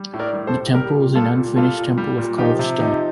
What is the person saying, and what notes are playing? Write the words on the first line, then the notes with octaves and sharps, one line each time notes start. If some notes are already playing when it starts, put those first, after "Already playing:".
The Temple is an unfinished temple of carved stone.
Already playing: G3
A2
A#4 D5
G3
A4 C5
A2
G3 G4 A#4
A#2
G3 F4 A4
A#2
G3 F4 A4
A#2
G3
A#2
F3 D#4 G4
C3
F3 D#4 G4